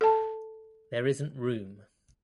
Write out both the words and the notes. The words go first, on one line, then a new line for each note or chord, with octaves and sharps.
There isn't room.
A4 A5